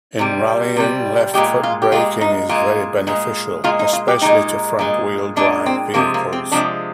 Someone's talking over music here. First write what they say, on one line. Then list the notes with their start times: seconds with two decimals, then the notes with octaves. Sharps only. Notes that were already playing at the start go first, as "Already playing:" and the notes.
In rallying left-foot braking is very beneficial, especially to front-wheel drive vehicles.
0.19 C3 G3
0.76 C3 G3
1.34 A#2 G#3 G4
1.63 F4
1.82 G4
1.92 A#2 G#3 F4
2.21 D#4
2.49 A#2 G#3 F4
3.07 A#2 G#3
3.64 A#2 G#3 F4
3.79 D#4
3.93 F4
4.08 G4
4.22 A#2 G#3 D#4
4.79 A#2 G#3
5.36 A#2 G#3 D4
5.66 C4
5.94 C3 F3 G#3 A#3
6.14 A#3
6.33 C4
6.52 C3 F3 G#3 D4